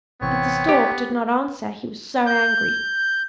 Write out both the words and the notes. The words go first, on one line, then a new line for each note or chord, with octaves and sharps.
But the Stork did not answer, he was so angry.
A1 C3 E3 B3 C4 C#5
G4 C5
G6